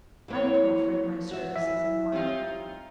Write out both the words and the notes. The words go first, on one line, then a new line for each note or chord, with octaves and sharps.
I proffered my services and money.
A#2 E3 A#3 C4 B4 C#5
F#4 E5
E3 E5
G3 C4 D#4 F4 F5